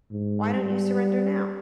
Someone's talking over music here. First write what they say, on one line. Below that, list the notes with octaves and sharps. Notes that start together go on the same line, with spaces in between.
Why don't you surrender now?
G#2
G3